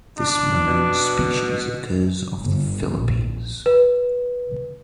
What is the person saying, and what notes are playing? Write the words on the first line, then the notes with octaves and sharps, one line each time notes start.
This marine species occurs off the Philippines.
D4
B2
G1
A#1
B4